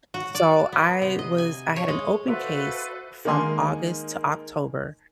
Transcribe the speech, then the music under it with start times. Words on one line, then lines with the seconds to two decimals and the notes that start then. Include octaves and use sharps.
So, I was I had an open case from August to October,
0.14 F#4
0.35 D5
0.72 B3
1.02 C3
1.19 D#5
1.38 G#5
1.76 C#5
1.88 G#3
2.28 F4 F#4 A4 B4 C5 D5 E5
3.25 D#3 G#3 A#3 G#5 C6